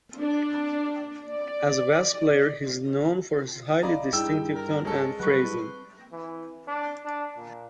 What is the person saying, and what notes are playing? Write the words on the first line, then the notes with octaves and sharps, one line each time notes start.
As a bass player, he is known for his highly distinctive tone and phrasing.
D4
D5
D5 D#5 F5 A#5 B5 D#6
G2 D#4 E4 G#4 G5 E6
A#4 A#5
G#3 C#4 A4
F#3 G3 B4 C#6 F#6
E3
D4
D4
A#2